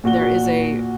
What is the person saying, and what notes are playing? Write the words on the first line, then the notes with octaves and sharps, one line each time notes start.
There is a
A#2 F#4 F#5 G7